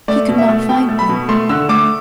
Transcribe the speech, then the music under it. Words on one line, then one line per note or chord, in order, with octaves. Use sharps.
He could not find one.
A3 D5
B2
E5
A3
B2 G5
A3
B5
B2
A3 C6
D3 E6
A3 D6